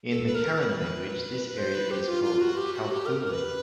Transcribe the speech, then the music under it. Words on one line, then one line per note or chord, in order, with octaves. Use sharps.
In the Karen language, this area is called Kawthoolei.
A4
B4
A#4
B4
C5
B4
G4
F4
F4
F#4
G4
F#4
G4
A#4
A#4
B4